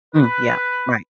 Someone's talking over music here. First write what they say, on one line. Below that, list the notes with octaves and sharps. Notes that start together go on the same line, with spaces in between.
Mm, yeah. Right.
B4